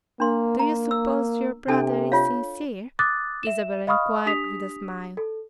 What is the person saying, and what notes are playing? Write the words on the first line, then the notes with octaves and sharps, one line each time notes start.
"Do you suppose your brother's sincere?" Isabel enquired with a smile.
A#3 D4 C6
A#3 A#5
E6
C3 D4 A4 G#5
F4 C#5 F5
D6 D#6 F#6 A6
E5 E7
D#5 F5 B5 C#6 D#6 F6
D4 G4 D#6 B6 F7
A4